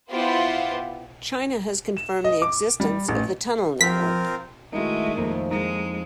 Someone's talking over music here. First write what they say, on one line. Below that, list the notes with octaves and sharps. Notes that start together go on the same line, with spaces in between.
China has confirmed the existence of the tunnel network.
B3 E4 F4 G4 C5
E7
D#5
D6
G3
A1
F3 C4 F4 A#4 B6
D#3 G#3 A3 D#4 E4 F#4
F2 A#3
G#3 D#4